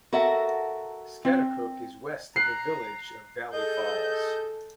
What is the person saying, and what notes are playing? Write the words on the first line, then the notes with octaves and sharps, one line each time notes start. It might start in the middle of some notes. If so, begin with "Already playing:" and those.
Schaghticoke is west of the Village of Valley Falls.
F#4 A4 A#4 E5 F#5
C4
A#5 F#6 C7
G#4 A4 D#5 G6